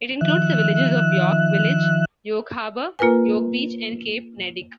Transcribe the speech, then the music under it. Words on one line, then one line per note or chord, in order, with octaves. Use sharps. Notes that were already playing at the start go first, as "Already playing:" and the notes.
It includes the villages of York Village, York Harbor, York Beach and Cape Neddick.
D#3 F3 E5 F#6
A#3 F4 A#4 B4 G#5